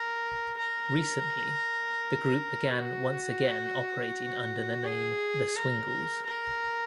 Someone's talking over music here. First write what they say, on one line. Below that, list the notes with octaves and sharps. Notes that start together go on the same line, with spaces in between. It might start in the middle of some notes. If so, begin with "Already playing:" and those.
Recently, the group began once again operating under the name The Swingles.
Already playing: A#4
A#4
F#4
G#4
A#4
A#4